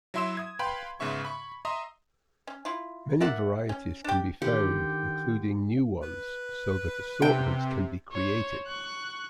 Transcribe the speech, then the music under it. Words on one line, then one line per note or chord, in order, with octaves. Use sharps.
Many varieties can be found, including new ones, so that assortments can be created.
F#3 E4 E5 C6 E6 E7
D#6 G#6
B4 F5 G5 B5 C6
G#2 C#3 B3 E5 C#6
B5 C#6
D#5 E5 A#5 C6 D#6
C#4
E4 F4
A#4 D5 E5 F#5
C#4
D4 G4
D3 D#3 G4 G5
B4
C3 G5
C5 C#5
C#6 F#6